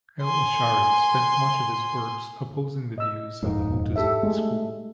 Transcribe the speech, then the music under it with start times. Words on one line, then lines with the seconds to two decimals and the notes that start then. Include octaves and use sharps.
Al-Ash'ari spent much of his works opposing the views of the Mu'tazili school.
0.22 G#5 C6
2.98 D#5 E6
3.43 D#1 F2 G#2 D#4 D#5
3.96 G4 A4 E5
4.23 G#3 A3 G#4